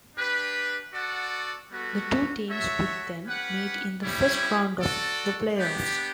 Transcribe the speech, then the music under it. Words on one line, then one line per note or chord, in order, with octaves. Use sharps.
The two teams would then meet in the first round of the playoffs.
D4 G4 B4
F#4 A4 D5 F#5
G3 B3 F#4 A4
F#4 A4 C#5 E5
C#4 G4 B4 F#5
G3 C#4 E4 G4 C#5
F#4 A4 D5
B3 D4 G4